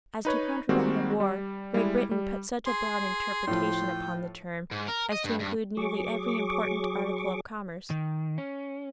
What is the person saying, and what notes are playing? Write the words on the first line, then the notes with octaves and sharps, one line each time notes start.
As to contraband of war Great Britain put such a broad interpretation upon the term as to include nearly every important article of commerce.
D#4 B4 C#5
D#3 G3 G#3 A#3 C4 F#4
G3
G3 G#3 E4
G3
G#4 C6
A2 F3 G5
G#2
A#4
D#5
G2
G2
F#3 G#4 C#6 D6
D#3
C#4